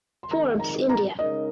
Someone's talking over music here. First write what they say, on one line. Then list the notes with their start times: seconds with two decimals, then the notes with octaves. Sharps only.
Forbes India.
0.23 C6
0.30 F2 D#3 G#3 D#4 A#4 A#5
0.60 A#5
0.89 A#5
1.19 C#3 G#3 D#4 A#4 D#5